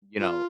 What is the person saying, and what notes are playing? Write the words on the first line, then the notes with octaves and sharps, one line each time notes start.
you know,
F4